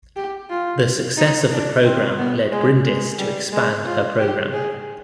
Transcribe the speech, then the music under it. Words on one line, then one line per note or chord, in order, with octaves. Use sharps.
The success of the programme led Brindis to expand her programme.
G4
F4
D#4
D4
C4
B3
G#3
G#3
G3
G#3
F4
G4
G#4